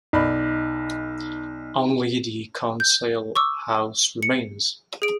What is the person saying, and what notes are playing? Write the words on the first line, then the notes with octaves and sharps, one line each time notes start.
Only the Council House remains.
B1 D#4 D5 B5
G6
C#6 D6 E6
C#7
G#4 D7